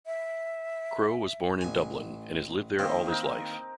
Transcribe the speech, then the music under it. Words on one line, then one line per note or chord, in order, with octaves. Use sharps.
Crowe was born in Dublin and has lived there all his life.
E5
A1 G#5
D#3 A#3 C4
D#4 A#4